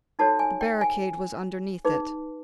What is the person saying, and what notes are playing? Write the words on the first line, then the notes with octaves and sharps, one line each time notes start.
The barricade was underneath it.
D#4 F#4 A4 C#5 A5
G#5
G5
G#5
D#4 G#4 B4